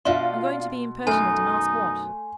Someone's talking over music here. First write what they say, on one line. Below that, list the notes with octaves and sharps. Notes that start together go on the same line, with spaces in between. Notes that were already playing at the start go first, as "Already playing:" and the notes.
I'm going to be impertinent and ask what.
B2 D4 F4 D#5 E5 C6
F#2 B2 A3 D#4 G#5